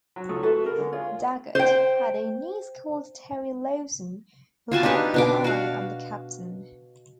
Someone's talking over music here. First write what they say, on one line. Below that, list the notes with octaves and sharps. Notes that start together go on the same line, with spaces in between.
Daggart had a niece called Terrie Lawson, who had her eye on the Captain.
F#3
C#2 A3 F4 D#6
E4 F#4 A4 B4 E5
G#4 A#4 B5
D3 G#3 B3
F4 G#4 C#5
C5 G5
F4 F#4 G#5 A5
D4 D#4 G4 B4
B2 D4 D6
F#4 F5